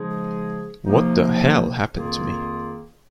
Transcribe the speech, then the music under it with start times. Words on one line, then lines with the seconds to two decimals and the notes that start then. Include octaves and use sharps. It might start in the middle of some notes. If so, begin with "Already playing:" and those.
What the Hell Happened to Me?
Already playing: C#3 F3 G#3 D#4 G#4
0.85 C3 F3 A#3 D#4
1.92 F2 D#3 A#3 F4 G#4